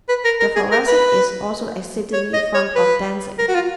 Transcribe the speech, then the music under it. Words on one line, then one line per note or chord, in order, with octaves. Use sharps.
The Thoracic is also exceedingly fond of dancing.
B4
A#4
A#4
G#4
A#4
B4
C#5
D#5
C#5
B4
A#4
F#4
F4